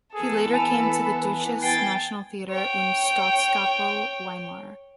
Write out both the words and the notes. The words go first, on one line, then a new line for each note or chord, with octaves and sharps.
He later came to the Deutsches Nationaltheater und Staatskapelle Weimar.
E3 B3 G#4 A4 B4
G#5 A5 B5 F7
G5 G#5 A6 C7
C#5 G5